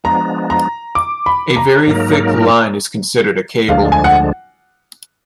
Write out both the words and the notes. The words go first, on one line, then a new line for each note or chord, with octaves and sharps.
A very thick line is considered a cable.
F3 G#3 B3 D4 A#5
A#5
D6
B5
A#5
G#2 F#3 A#3 D#4 A#4
D2 D3 F3 G#3 D4 F5
G#5
F#5